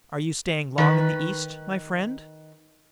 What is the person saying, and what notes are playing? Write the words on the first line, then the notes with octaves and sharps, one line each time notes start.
"Are you staying long in the East, my friend?"
D#3 B4